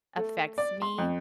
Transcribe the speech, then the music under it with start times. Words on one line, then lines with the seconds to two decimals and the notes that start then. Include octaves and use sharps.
affects me,
0.17 A3
0.58 D5
0.82 C6
0.98 F2